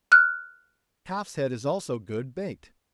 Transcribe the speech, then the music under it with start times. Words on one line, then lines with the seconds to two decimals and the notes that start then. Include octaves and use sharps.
Calf's head is also good, baked.
0.12 F6 F#6